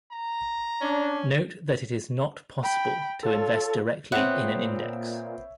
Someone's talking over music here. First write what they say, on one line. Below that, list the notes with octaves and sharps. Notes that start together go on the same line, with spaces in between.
Note that it is not possible to invest directly in an index.
A#5
C#4 D4
G5 B5
F4 A4 C#5
A#2 B3 C4 C#5 E5 F#5